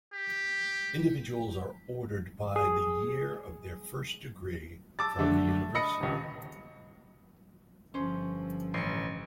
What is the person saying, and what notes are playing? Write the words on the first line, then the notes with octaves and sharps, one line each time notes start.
Individuals are ordered by the year of their first degree from the university.
G4
G#4
A5 D6 E6 A6
D3 A3 D4
D#5 B5 D#6 A#6 C#7
D#1 C#2
G1 F3 C#4 C5
A1 C7 C#7